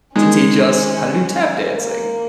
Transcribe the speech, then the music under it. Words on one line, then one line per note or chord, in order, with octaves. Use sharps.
to teach us how to do tap dancing,
D#3 G#3 C#4
A#3